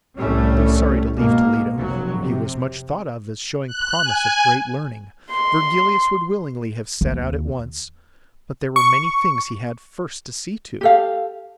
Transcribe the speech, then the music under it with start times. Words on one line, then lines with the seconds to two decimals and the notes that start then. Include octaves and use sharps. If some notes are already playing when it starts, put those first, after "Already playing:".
Though sorry to leave Toledo, where he was much thought of as showing promise of great learning, Virgilius would willingly have set out at once, but there were many things he had first to see to.
0.17 C2 A2 G3 A3 C#4
1.17 G#2 B2 A#3
1.79 F1 F#3
2.21 C3
3.67 F#6
4.04 G#5
5.31 C6
7.01 D#2
8.76 C#6
10.81 G4 A4 F5